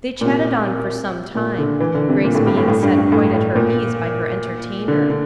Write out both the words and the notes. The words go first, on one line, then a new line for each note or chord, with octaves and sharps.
They chatted on for some time, Grace being set quite at her ease by her entertainer.
A#2
C3
A#2
D3
E3
D3
C3
A#2
A2
G2
A2
A2
G2
G2
A2
A2
A#2
D3
D3